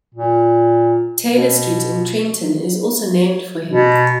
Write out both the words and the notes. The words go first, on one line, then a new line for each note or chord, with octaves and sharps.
Taylor Street in Trenton is also named for him.
A#2
B2
B2